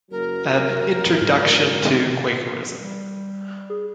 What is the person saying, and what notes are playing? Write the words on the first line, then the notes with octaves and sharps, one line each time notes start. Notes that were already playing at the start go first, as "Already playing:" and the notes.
"An Introduction to Quakerism".
F#1 F#3 A#4
G#2
E2 C3 D#3
G3
G#4